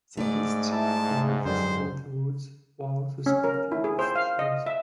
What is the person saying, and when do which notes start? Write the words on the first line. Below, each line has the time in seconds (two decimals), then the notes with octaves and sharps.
Cyclists ride through the woods while the spectators cheer.
0.17 G#2 A3 D5
0.73 E4 A5
1.46 F#2 D3 G3 C5
3.26 C#4
3.44 A#4
3.72 E4
3.84 G#4
3.99 C5
4.15 F5
4.39 D#5
4.66 E5